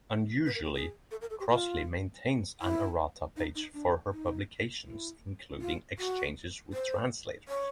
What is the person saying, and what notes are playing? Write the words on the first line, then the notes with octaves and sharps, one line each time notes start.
Unusually, Crossley maintains an errata page for her publications, including exchanges with translators.
B4
A#4
G#4
G#4
A4
A#4
A4
G4
F4
E4
D#4
D#4
D4
D#4
E4
F4
F#4
C5
C#5